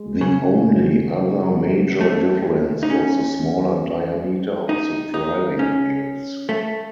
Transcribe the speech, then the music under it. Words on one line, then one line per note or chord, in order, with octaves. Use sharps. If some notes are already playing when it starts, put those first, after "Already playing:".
The only other major difference was the smaller diameter of the driving wheels.
Already playing: G#3
C#3
A3
D#4
C#4
D#4
D#4
C#4
A3